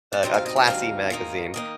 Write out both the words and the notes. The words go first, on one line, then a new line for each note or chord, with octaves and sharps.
a a classy magazine.
D5
D2 C3 G3 C4 D#4 C5
F5
D#5
D#5
D2 C3 G3 C4 D#4 F5
G#2 D#3 A#3 D#4
D#3 A#3 D#4 D#5